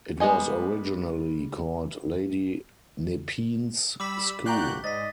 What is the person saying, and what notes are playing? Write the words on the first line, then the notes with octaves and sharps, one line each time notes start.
It was originally called Lady Nepean's School.
G3 G#3 B3 D#5 G#5
G3 B5 D6 E6 B6
F#4 D5 F5 G5 A#5 F#6 G6
G#2 D5 D#5 A6 B6